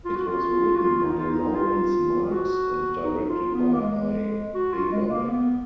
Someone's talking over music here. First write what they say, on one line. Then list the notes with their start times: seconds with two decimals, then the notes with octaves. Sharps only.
It was written by Laurence Marks and directed by Hy Averback.
0.05 F4
0.16 F#4
0.27 F4
0.76 F#4
0.80 F4
1.05 D#4
1.19 F4
1.30 D#4
1.55 F4
2.30 F#4
3.05 D#4
3.29 F4
3.54 B3
3.73 A#3
3.80 G#3
4.55 F#4
4.73 F4
4.92 G#3
5.11 A#3
5.29 B3